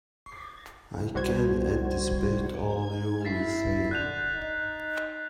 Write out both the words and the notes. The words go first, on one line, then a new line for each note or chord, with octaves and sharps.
I can anticipate all you will say.
C2 G3 F#4 C5 G#6
E4 A6 B6 C7
D3 F#6 G6 F7
D#4